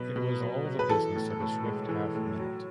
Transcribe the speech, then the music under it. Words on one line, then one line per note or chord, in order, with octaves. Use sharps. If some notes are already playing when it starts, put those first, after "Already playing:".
It was all the business of a swift half-minute.
Already playing: B2 F#3 B4
B2
F#3
F#3
B4
E3 A4
A2
A2
G#3
E3
A2
F#3